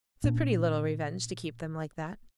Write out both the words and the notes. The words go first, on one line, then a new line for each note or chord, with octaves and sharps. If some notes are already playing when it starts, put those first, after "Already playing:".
It's a pretty little revenge to keep them like that.'
A#2 A#3 C#4 D4